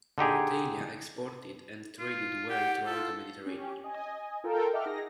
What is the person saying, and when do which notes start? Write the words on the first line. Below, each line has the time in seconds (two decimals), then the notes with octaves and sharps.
Mauretania exported and traded well throughout the Mediterranean.
0.18 D3 D#4 G4 G#4
2.00 F4
2.50 G4 F#5
2.86 F4 A4
3.46 C#4 G4
3.84 D#5 G#5
4.44 F4 A4 A#4 G5
4.73 D#5 E5 F#5 G5 D6 F6
4.86 D#4 G#4 A#6